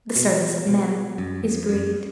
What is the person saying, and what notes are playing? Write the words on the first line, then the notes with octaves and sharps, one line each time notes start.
The service of Mammon is greed.
B2
B2
F#2
F2
F#2